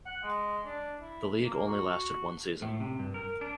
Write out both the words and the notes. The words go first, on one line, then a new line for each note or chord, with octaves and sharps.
The league only lasted one season.
F#5
G#3
D4
E4
A#3
F#4
A2
C3
G2
A#4
D4